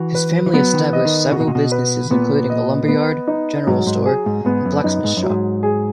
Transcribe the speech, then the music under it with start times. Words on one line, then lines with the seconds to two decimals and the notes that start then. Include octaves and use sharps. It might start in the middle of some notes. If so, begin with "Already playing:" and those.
His family established several businesses including a lumberyard, general store and blacksmith's shop.
Already playing: E3 F#4
0.15 B4
0.46 E3
0.53 F#3 B3
0.73 D#3
0.79 E3
0.93 D#5
1.05 D#3
1.32 C#3 F#4
1.40 B2
1.47 A#2
1.55 B2
1.72 B4
2.11 A#2 B3
2.50 D#5
2.88 B3
3.27 D#4
3.67 G#2 F#3
3.87 G#2
4.06 G#4
4.26 G#2
4.45 G#2 B3
4.65 F#2
4.84 F#2 D#4
5.04 G#2
5.17 F#2
5.23 F#3
5.29 G#2
5.63 G#4